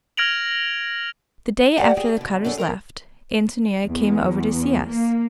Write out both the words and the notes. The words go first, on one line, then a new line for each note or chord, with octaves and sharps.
The day after the Cutters left, Antonia came over to see us.
F6 G#6 A#6 D7 F7 F#7
E2 G3 G4 B4 D5 F#5
G4 G#4
B2 D3
F#2 D4 G#4 A4
A#4 C5 D#5 E5
E2
A#3